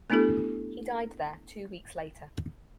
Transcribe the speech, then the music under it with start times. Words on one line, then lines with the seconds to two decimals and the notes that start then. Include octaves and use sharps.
He died there two weeks later.
0.10 A3 B3 D4 E4 G4 A4